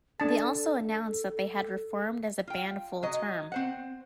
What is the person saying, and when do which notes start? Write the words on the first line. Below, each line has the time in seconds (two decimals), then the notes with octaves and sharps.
They also announced that they had reformed as a band full term.
0.20 D4 A4 A5
2.47 F4 G5
3.03 F#3 D#5
3.52 C4 C5 F#5